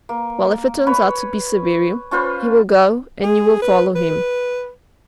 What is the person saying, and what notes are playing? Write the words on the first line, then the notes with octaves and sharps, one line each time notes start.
Well, if it turns out to be Siberia, he will go and you will follow him.
A#3
B4 C#5 B5
C#4 F4 B4 C5
G#4
B4
B4